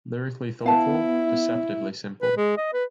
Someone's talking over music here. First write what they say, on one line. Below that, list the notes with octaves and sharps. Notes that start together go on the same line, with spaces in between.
Lyrically thoughtful, deceptively simple.
B3 E4 F5 A5
B4
G#3
D#5
B4